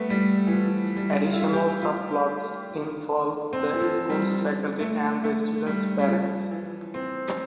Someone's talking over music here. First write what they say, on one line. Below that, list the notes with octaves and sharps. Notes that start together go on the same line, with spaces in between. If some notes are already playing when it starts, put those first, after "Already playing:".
Additional subplots involve the school's faculty and the students' parents.
Already playing: G3 A3 B3
G3
E3
F3
G3
F4
E4
F4
G4
F4
C4
E3
F3
G3
A3
A3
G3
G3
F3
E3
C4